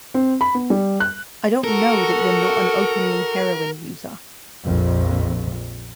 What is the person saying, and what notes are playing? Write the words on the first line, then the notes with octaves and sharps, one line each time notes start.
I don't know that you're not an openly heroin user.
C4
B5
B3
G3
F#6
F#4 A4 A#4
A#1 F2